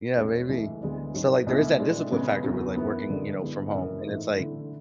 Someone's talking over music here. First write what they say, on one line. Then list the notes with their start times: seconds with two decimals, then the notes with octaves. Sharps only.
Yeah, maybe. So, like, there is that discipline factor with, like, working, you know, from home, and it's, like
0.16 E2 B2 G#3 C#4
0.49 C#2 C#3 E3 A3 E4
0.81 D2 D3 G#3 B3 D4
1.14 G#2 F#3 C#4
1.47 C#2 B2 A3 E4
1.79 A2 G#3 D4
2.11 C#3 G#3 B3
2.44 E2 C#3 F#3
2.76 F#2 E3 B3
3.09 F#2 D3 G#3 D4
3.42 D3 G#3 B3 E4
3.74 F#2 C#3 E3 G#3 D4
4.07 G#2 E3 A3
4.40 D3 A3 E4